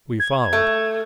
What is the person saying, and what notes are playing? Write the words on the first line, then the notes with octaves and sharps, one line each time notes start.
We followed.
G#6
A3